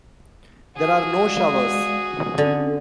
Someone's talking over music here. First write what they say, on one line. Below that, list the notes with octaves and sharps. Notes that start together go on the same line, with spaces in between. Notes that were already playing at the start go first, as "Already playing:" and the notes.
There are no showers.
F#4 G#4 G#5
G#3 D5 F5
D3 C4 C#4